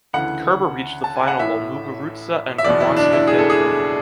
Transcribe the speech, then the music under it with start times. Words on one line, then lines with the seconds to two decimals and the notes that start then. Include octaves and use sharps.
Kerber reached the final while Muguruza and Radwańska failed early.
0.14 D2 C#3 E3 F#5
1.04 A5
1.16 G#5
1.28 F#5
1.39 A1 A2 E3 E5
2.58 E5
2.64 F#1 E2 B2 D5
2.80 E4
2.96 D4
3.13 E4
3.27 G#4
3.38 A4
3.50 G#4